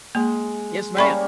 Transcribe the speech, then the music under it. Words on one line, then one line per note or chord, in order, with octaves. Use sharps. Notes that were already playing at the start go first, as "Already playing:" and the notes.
Yes, ma'am.
G#3 A#3
G3 A#3 C#4 D5 B5 C#6